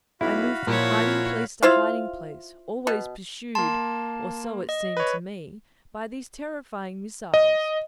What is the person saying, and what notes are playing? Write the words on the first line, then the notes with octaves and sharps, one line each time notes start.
I moved from hiding-place to hiding-place, always pursued, or so it seemed to me, by these terrifying missiles.
B1 E4 F#4 F5 B5
A#2 F3 E4 C#5
E4 F4 C5 F5
B2
A#3 A5 C6
D#5
B4 C#5
D#5